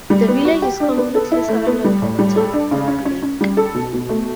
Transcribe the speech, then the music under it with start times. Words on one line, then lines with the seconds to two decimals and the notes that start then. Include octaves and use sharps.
The village is completely surrounded by the Town of Rib Lake.
0.10 G3
0.28 B3
0.45 F#4
0.62 G4
0.80 D4
0.98 B3
1.15 A4
1.31 E4
1.49 A3
1.67 B3
1.84 G3
2.02 A2
2.19 G3
2.36 A4
2.54 D4
2.71 C#3
2.88 C#4
3.05 C#4
3.22 C#4
3.41 G3
3.57 A4
3.74 B2
3.93 B2
4.09 A3